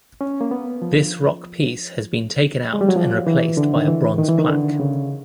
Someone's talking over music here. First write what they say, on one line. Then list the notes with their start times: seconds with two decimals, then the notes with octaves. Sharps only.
This rock piece has been taken out and replaced by a bronze plaque.
0.21 C#4
0.41 A#3
0.51 B3
0.82 F3
2.74 G#3
2.81 G3
2.89 F#3
2.96 F3
3.27 E3
3.57 D3
3.76 D#3
3.88 E3
4.18 D#3
4.29 E3
4.39 D#3
4.49 D3
4.80 C#3